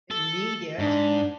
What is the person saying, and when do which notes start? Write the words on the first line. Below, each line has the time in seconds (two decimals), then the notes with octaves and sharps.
need it
0.11 A4
0.79 G#2 D4